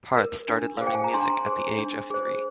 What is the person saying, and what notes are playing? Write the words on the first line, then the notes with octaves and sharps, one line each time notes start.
Parth started learning music at the age of three.
A#4
D4
G#4 C5 F5
G5
G#5
A#5
D4 G#5 C6
G#4 C5
D4
G#4 C5